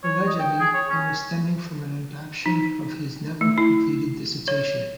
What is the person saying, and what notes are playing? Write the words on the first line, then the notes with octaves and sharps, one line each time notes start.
Allegedly, it was stemming from an adaption of his never completed dissertation.
C#5
D#5
G5
G#4
C#5
C#4
D#4
A3
E4
C#5